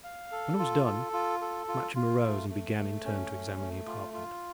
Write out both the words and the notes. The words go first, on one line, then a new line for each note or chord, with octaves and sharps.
When it was done, Matcham arose and began, in turn, to examine the apartment.
F5
A4
F4
A4
F4
A4
F4
F4
A3
A3
A3
C#4
A3
A3
F4
F4